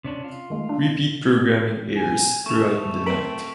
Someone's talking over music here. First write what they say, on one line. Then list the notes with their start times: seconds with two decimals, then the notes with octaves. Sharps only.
Repeat programming airs throughout the night.
0.04 C3 C#4 D4
0.24 F4
0.50 D#3 G#3 A3
0.69 D4
1.97 G#5
2.46 A3 C#6 E7 F7
3.06 A3 C4 A#4 B6 D7 F#7